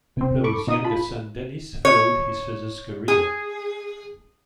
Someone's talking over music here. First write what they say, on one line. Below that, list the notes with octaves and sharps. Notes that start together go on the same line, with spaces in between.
Peploe's younger son Denis followed his father's career.
C3 C4
A4 B5 C#6 D6
B2 D#4 D#5 D#6
F4 A5 B5
C#5
G#4